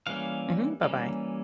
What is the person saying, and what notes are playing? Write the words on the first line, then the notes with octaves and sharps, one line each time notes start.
Mhm, bye-bye.
E3 G3 A#3 C#4 F5
E3 G3 A#3 C#4